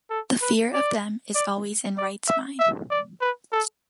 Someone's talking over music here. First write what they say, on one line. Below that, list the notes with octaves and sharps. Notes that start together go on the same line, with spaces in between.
The fear of them is always in Wright's mind.
A4
B4
D5
D5
D5
E5
E5
D5
B4
A4